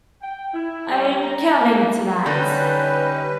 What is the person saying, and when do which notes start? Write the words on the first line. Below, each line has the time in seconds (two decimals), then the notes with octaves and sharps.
Iâm coming to that.
0.22 G5
0.53 E4
0.90 G3
1.21 A#5
1.60 A#3
2.26 D3 G3 C#4 D#4 B4